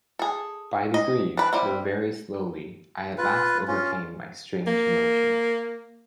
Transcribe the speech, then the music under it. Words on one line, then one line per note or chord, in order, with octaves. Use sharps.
By degrees, though very slowly, I at last overcame my strange emotion.
G#4 A4
D#5
D4 B4
G3 C4 E4
F4 B4
C#4 F4
A#3